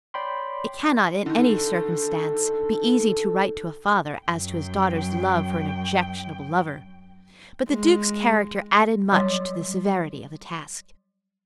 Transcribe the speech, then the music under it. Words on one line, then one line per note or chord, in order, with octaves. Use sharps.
It cannot in any circumstance be easy to write to a father as to his daughter's love for an objectionable lover; but the Duke's character added much to the severity of the task.
C#5 D5 G5 B5 C6
D3 D#3 A4
F#2 G5
G#3
F#3 G3 C#5 D#5 C6